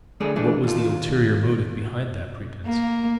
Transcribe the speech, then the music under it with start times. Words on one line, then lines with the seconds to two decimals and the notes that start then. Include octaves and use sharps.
What was the ulterior motive behind that pretence?
0.20 D2 G#3 A3 D4 G#4 D5
0.36 E3 A3 D4
0.64 D#2 F4
2.66 A#3